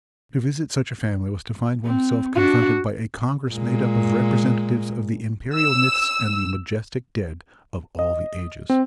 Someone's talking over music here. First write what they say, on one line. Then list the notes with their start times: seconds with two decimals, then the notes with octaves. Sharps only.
To visit such a family, was to find one's self confronted by a congress made up of representatives of the imperial myths and the majestic dead of all the ages.
1.84 C4
2.35 D4 F#4
3.52 A#2 G#3
5.54 E6
7.99 D#5
8.70 C4